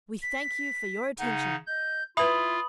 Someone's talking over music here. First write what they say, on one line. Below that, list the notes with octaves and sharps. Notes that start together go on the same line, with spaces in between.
"We thank you for your attention!"
B6
C#3 D#4 F#5
D#5 G6
E4 F4 B4 E5 B5 D#6 F#7